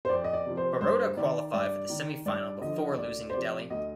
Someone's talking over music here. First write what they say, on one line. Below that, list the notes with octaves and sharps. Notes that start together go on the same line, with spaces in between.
Baroda qualified for the semifinal before losing to Delhi.
C5
F2 D5
D#5
D5
C3 F3
C5
G2 C5
D#3 D5
G2 D5
D#3
G2 D5
D3 F3 D#5
D2 D5
C5
C3 F3 D5
D2 D#5